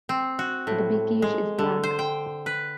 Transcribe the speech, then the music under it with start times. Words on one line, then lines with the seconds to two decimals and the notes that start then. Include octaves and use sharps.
The "Bekishe" is black.
0.09 C4
0.39 F#4
0.67 A2
1.22 G#3
1.59 D3
1.83 C5
1.99 G5
2.46 B4